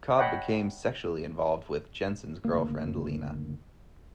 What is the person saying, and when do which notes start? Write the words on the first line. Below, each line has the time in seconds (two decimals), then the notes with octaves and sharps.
Cobb became sexually involved with Jensen's girlfriend Lena.
0.18 C#5 D#5 F#5 G5 A5 B5
2.45 F#1 D2 A#3